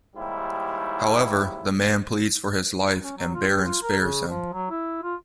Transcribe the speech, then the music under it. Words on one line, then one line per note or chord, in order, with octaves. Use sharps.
However, the man pleads for his life and Baran spares him.
D#2 G#2 G3 E4
C#4
F#3
F4
G4
F4
A#4
C#3
F3
F#3
E4
F4